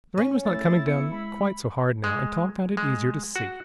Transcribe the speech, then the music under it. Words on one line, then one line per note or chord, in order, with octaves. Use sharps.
The rain was not coming down quite so hard now, and Tom found it easier to see.
C#4
A3 E4 A6
B3 C#7
G#3 B5
G#3
G#3
F#4